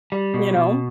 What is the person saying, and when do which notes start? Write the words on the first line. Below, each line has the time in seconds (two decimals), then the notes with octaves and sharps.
You know?
0.12 G3
0.34 B2
0.56 B2